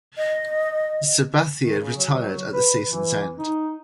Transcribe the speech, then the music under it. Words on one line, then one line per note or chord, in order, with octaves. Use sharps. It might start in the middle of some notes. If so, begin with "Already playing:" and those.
Sabathia retired at the season’s end.
D#5
D#3
C#3
F#3
B4
E3
D#4